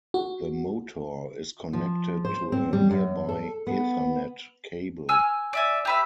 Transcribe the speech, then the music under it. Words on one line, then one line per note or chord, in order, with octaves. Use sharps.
The motor is connected to a nearby Ethernet cable.
F#4
F3
C5
C4
G3
F#2
A4
B3
G#5 E6 F6
D5 E5 G#5
G4 B4 E5